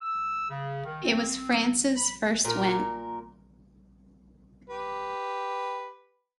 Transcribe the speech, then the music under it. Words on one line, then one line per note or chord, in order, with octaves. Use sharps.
It was France's first win.
E6
C#3
D#3
C4
B5
A#2 A#4
G4 B4